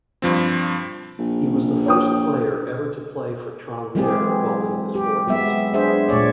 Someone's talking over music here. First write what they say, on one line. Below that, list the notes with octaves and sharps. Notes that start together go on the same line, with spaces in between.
He was the first player ever to play for Tranmere while in his forties.
G2 F3 C4
A#1
C#5 G5 D#6
E3 F#3 G#3 C4 G4 G#4
G4
F#3 G#3 B3 E5
D4 G#4 C5 E5
A#2 A3 C#5 D5